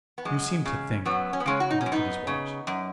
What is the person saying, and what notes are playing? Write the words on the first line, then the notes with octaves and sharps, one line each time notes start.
"You seem to think--" He looked at his watch.
B3
F#2 G#3
C#3
F#2 F#3 B3
C#4
B3
C#3 G#3 C#4
F#4
D#4
C#4
F#2
B3 D#4
C#3
F#2